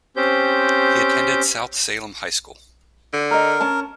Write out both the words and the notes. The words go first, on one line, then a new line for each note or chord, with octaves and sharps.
He attended South Salem High School.
C4 C#4 G4 C5 G6
D3
A#4 D#5 A#5
C#4 A5